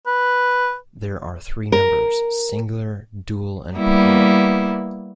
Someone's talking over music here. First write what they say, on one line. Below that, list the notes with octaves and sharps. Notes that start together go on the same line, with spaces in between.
There are three numbers, singular, dual and plural.
B4
A#4
G3 A#3 B3 E4